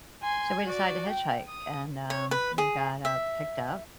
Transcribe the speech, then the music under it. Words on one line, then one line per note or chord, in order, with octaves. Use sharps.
So we decided to hitchhike, and, um, we got, uh, picked up,
G#5 C6
F#4 D5
G5
D#6
C#5
B4
G#4
E5